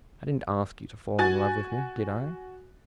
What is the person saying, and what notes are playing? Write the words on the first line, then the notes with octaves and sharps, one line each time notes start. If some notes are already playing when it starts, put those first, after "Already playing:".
I didn't ask you to fall in love with me, did I?
F#4 G#5 A6